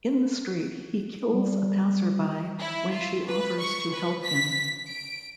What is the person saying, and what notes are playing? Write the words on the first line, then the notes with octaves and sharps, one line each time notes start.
In the street, he kills a passer-by when she offers to help him.
G3
E4
F4
B4
C#6
B4
B6
D7